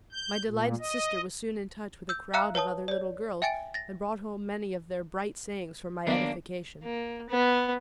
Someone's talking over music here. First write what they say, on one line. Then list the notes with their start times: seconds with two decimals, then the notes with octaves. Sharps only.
My delighted sister was soon in touch with a crowd of other little girls, and brought home many of their bright sayings for my edification.
0.12 G6
0.46 A#2
0.80 D#5
2.09 E6 G6
2.34 E5 F5 A#5 E6 F#6 C#7
2.55 B4 C#5 A5 D#6
2.88 C#5 D5
3.42 E5 G5 G#5 A6 C#7 D7
3.74 A6 A#6
6.07 D#3 F#3 A#3 B3 D4
6.83 A#3
7.30 B3